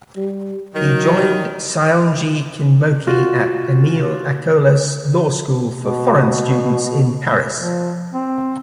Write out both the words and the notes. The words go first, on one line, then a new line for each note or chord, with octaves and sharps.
He joined Saionji Kinmochi at Emile Acollas' Law School for foreign students in Paris.
G3
D#3 F#3
F4 F#4
B2
F3
C4